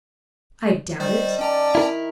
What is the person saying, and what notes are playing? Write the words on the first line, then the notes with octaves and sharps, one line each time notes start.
"I doubt it."
D#3 G3 C5 D5
C#4 D5 G5 A5 A#5
E4 A#4